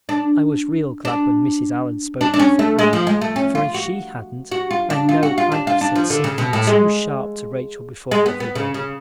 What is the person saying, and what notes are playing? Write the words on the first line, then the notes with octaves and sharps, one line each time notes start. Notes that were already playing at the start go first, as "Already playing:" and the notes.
I was real glad when Mrs. Allan spoke up for Anne, for if she hadn't I know I'd have said something too sharp to Rachel before everybody.
D4
D4
D4
D4
C#4
A3
G#3
F3
G#3
A3
C#4
F4
F#4
F#4
F4
D4
F4
F#4
F4
D4
F4
D4
F3
D3
C#3
B2
A2
G#3
G#3
B3
B3
C#3
C#3